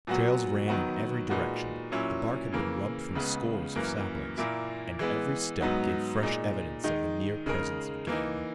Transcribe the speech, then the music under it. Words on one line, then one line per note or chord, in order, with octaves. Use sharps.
Trails ran in every direction, the bark had been rubbed from scores of saplings, and every step gave fresh evidence of the near presence of game.
A#2 F#3 B3 F#4
D#3 F#3 B3 F#4
A#2 G#3 D#4 F#4 B4
A#2 F#3 C#4 E4
C#3 E3 A#3
C#2 C#3 G#3 B3
F#2 E3 A#3
A#2 A#3 E4
E3 G#3 B3
G#2 F#3 B3 D#4 F#4
A#2 G#3 D#4
D#3 G#3 D#4
C#3 G#3 D#4 A#4
E3 A#3 D#4